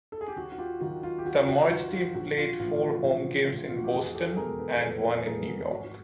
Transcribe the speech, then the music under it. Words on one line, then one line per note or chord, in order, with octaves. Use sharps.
The merged team played four home games in Boston and one in New York.
A4
G#4
G4
D#2 F#4
F#4
F4 G4
D#3 F#3 F#4
F4
G4
D#2 F#4
F#4
D#3 F#3 F4
F4
A#1 F#4
F4
A2 E3 F4
F4
F#4
A#1
A2 E3
F4
F#4
G4
F1 F#4 G#4
G4 A4
A4
E2 B2 G#3 G#4 A#4
A4 B4
F1 A4 B4
A4 B4
E2 B2 G#3 G#4 A#4
F#4 G#4
G#1 F#4
F#4